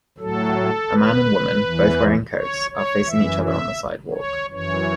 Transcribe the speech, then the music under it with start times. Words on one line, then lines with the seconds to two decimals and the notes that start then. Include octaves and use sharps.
A man and woman, both wearing coats, are facing each other on the sidewalk.
0.20 A2 F#3 A4
0.91 B4
1.63 E2 E3
2.35 C#5
2.71 C#5
3.06 F#2 E3 E5
3.43 E5
4.14 C#5
4.50 F#2 E3 C#5